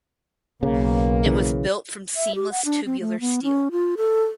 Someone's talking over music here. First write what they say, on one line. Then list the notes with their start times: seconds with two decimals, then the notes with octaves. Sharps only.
It was built from seamless tubular steel.
0.63 B1 C#3 A#3
1.26 C#3 E3
2.16 E5
2.35 G4
2.51 F#5
2.65 D4
2.86 C4
3.01 A3
3.20 B3
3.43 C#4
3.72 F4
3.97 A4